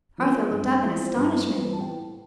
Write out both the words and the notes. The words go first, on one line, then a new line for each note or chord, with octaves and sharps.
Arthur looked up in astonishment.
F3 B3
G2
F3 C4 E4
C5
G2 B4
B4
E3 G3 C4 F4 C5
B4
A5
A2 G5